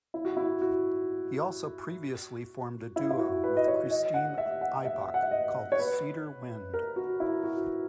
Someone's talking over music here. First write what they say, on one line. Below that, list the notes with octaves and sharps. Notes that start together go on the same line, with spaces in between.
He also previously formed a duo with Christine Ibach called Cedar Wind.
E4
F#4
E4
F#4
E4
E4
F#4
B4
D#5
C#5
D#5
F#5
E5
F#5
E5
F#5
E5
D#5
C#5
B4
A#4
F#4
E4
F#4